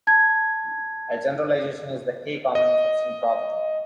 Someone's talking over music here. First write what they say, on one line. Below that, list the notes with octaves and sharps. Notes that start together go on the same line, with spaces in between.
A generalization is the k-common substring problem.
A5 G#6
D#5